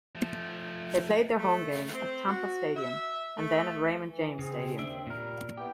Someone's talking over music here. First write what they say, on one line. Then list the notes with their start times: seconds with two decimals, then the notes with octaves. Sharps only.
They played their home games at Tampa Stadium and then at Raymond James Stadium.
0.15 F3 A3
1.39 A3
1.94 C4
2.28 F#4
2.76 E5
3.37 A3
4.07 E3
4.39 C#3 C4 G#4
4.79 D#2 C4 D4 E5
5.07 A#2 G3 A#4
5.57 B3 E4 G4 G5